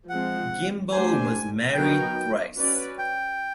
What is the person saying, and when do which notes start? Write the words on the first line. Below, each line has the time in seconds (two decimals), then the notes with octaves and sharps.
Gimbel was married thrice.
0.09 F3 G#3 C4 F#5
0.91 A3 D4 G4 C5 G#5
1.74 F#3 B3 D#4 F#4 A#4 G5
2.56 C#4 F#4 B4 D5
2.98 G5